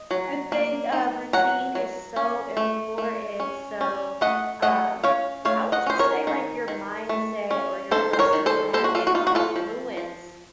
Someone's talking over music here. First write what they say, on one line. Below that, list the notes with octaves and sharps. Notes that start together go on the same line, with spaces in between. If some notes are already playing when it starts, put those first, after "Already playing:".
I think, uh, routine is so important. So, um, how would you say like your mindset or your personal habits influence,
Already playing: D#5
F#3
A#3
D#4
F#3 F#5 A#5
F#3
C#4
A3
A3
C#4
C#4
A3 D#5 F#5
A3 D#5 F#5
C#4 C#5 F5
A3 C#5 F5
D#5 F#5
C#4 C5
A#4 C#5
D#3
D#3
A3
C#4
D#3 A4 C5
C5
A#4 C#5
D#3
A4 C5
A#3 A4 C5
F#4
F4 A4
F#4
D#4 F4
F#4
F4 A4
F3
F3